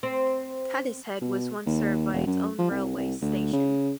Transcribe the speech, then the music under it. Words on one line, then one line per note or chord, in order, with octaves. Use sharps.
Cadishead was once served by its own railway station.
C4
B2
D#2
E1
F#2
F3
C2
C2
D2
C#3